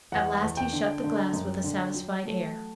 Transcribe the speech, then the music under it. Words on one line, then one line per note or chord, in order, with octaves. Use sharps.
At last he shut the glass with a satisfied air.
E2 F#5
E2
G5
D3
D3
F#2
D3
F#3
A3